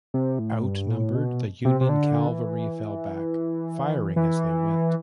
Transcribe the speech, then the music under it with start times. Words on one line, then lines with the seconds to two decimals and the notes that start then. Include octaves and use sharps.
Outnumbered, the Union cavalry fell back, firing as they went.
0.14 C3
0.39 A2
0.64 G2
0.89 A2
1.15 B2
1.65 C3
1.81 C3
1.89 D3
2.28 E3
4.16 E3